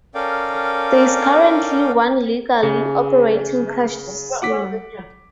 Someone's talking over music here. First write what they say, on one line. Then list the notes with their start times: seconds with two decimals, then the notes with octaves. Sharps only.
There is currently one legally operating casino.
0.15 C#4 A4 A#4 D5 F5 G5
2.63 C#3 G#4
4.42 F#5 D6 B6